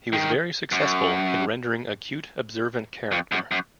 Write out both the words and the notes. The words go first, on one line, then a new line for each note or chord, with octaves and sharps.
He was very successful in rendering acute observant character.
D#3
F#2
F2
F#2
F#2